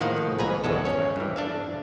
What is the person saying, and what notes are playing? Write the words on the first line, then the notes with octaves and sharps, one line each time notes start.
It's more of the perspective of it, yeah.
A2 D#3 F3 A#3 F5 F#5
B1 B4 G#5 A#5
G#1 E2 G#3 A4
C#4 C#5
G2 E3
D4 E5 F5